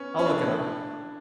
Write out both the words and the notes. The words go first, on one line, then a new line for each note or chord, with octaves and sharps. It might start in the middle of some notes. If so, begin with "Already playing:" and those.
I'll look it up.
Already playing: B3 C#4
C#4
D4